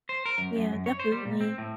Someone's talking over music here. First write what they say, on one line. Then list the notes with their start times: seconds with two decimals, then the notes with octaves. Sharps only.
Yeah, definitely.
0.09 C5
0.26 A#4
0.38 F#2
0.56 F#2
0.73 F#2
0.86 C#5
0.99 C5
1.12 G3
1.25 A#2
1.41 C4
1.58 A2